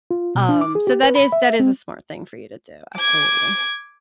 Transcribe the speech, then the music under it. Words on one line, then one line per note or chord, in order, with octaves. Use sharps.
um, so, that is that is a smart thing for you to do, absolutely.
F4
B2
D4
D6
G#4
G4
B4
B5
E5
C4
D6 G#6